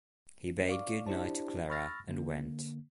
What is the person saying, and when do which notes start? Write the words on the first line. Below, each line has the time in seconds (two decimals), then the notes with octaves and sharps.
He bade good-night to Clara, and went.
0.68 D5 F5 C#6 D6
1.06 D4 E4 G4 C5 D5 A5
1.70 B5 C#6 E6 F6 A6 A#6
2.09 D3 A#3